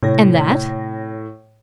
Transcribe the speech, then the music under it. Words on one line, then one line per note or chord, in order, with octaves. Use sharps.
"And that?"
A2 C3 C#5 A#6